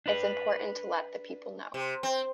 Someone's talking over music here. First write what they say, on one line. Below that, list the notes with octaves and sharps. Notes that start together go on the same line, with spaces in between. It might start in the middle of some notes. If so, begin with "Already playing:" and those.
It's important to let the people know.
D4 B4
C3
C4